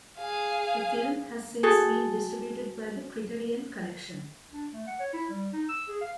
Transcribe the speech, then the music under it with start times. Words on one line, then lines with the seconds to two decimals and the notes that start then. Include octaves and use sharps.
The film has since been distributed by the Criterion Collection.
0.18 G#4 F5
1.63 F#4 G#4 A4
4.53 D4
4.72 A3
4.87 F#5
5.00 C#5
5.13 E4
5.30 G3
5.53 D#4
5.69 E6
5.88 G#4
6.01 F5